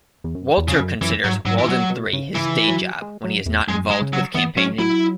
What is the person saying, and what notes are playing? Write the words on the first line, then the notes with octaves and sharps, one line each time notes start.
Walter considers Walden Three his "day job" when he is not involved with campaigning.
E2
F#2
E2
C#3
F#2
F#2 E3
G#2 F#3
G#2 F#3
E3
F#3
B2
C#3
C#3 E3
F#3
G#3
F#3
E2
F#2 G#3
G#3
C#3
F#3
E3 B3
F#3 C#4
F#3 E4